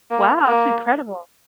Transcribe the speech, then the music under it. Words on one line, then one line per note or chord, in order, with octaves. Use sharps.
Wow, that's incredible.
A#3
A#3